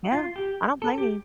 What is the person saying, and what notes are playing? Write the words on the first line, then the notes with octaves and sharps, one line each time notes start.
Yeah. I don't blame you.
F4
G4
A4
G4